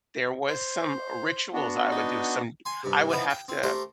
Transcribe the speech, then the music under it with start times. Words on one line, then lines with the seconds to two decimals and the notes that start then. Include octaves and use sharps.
There was some rituals I would do, some I would have to
0.49 C5
1.54 B3 D4 F#4
1.92 D#4
2.65 G#5 C6
2.83 G2 C3
3.09 D#3 F3 B3 E4 B4
3.30 G5
3.48 C4
3.63 A3 G4 A#4 C5